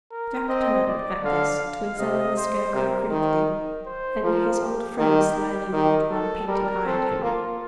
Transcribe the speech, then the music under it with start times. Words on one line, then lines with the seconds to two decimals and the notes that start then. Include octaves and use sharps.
Jack turned, at this, to examine the Scarecrow critically, and his old friend slyly winked one painted eye at him.
0.11 A#4
0.49 C4 D#5
0.86 D5
1.24 D3 F5
1.61 F5
1.99 C3 D#5
2.37 C5
2.74 C3 A#4
3.11 D#3
3.86 C5
4.23 F3 A#4
4.61 G4
4.98 D#3 G4
5.73 D#3
6.10 A4
6.48 G3 A#4
6.85 C4 A4
7.22 A#3 F4